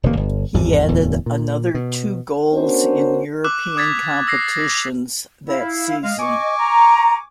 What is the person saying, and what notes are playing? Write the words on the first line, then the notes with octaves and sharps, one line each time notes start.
He added another two goals in European competitions that season.
E1 C3 D#3 A#3
G1
G#1 E2 G2
D1 E2
A#2
B2
B3 C#4 D4 F#4 A#4 C5
D6 E6 F#6
D#6 G#6 A6 B6
E6 A#6 C7
E4 F5
G#3 D#5 F5
G#5 C#6 D6
A#5